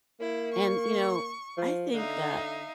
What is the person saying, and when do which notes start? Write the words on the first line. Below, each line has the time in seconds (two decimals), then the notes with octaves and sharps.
and, you know, I think that,
0.20 A#3 E4
0.53 C#6
1.57 F3
1.93 D3 D#4 E5 F5